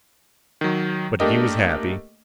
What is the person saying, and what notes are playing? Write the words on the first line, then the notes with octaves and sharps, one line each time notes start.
But he was happy.
D#3 F#3
A3 A#3 D4 G4 A#4 D#5